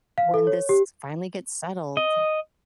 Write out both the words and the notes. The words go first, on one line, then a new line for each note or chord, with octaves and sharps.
when this finally gets settled,
F5
A4
C#5
G4
D#5